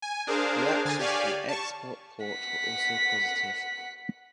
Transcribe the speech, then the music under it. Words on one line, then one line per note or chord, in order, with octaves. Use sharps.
Reactions to the Xbox port were also positive.
G#5
D4 G#4 A#4 C5 F5
D3 G#5 A6
G4 C#5 D5 F5 G#5
A5 C#6
F#5 B6